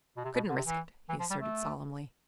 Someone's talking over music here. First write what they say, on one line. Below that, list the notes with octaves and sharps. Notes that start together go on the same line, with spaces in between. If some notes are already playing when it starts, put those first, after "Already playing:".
"Couldn't risk it," he asserted solemnly.
B2
C3
B2
D3
C3
E3
E3
F3
G3
A3